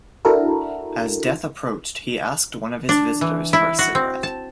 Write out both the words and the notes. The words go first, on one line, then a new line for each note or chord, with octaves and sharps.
As death approached he asked one of his visitors for a cigarette.
D4 E4 F#4 A4 A#4
D4
E3
E4
F#4
C4
A5